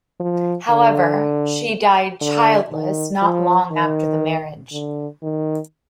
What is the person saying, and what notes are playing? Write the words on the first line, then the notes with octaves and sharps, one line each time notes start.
However, she died childless not long after the marriage.
F3
D3
D3
D#3
F3
D#3
D3
D#3